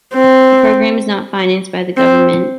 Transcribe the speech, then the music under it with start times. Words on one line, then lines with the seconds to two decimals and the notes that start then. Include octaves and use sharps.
The program is not financed by the government.
0.14 C4
1.97 C4